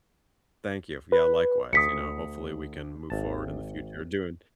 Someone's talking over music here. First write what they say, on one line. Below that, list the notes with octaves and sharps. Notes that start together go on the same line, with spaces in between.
Thank you. Yeah, likewise. You know, hopefully, we can move forward in the future doing
B4
D2 D#6 B6 C#7
G#1 A5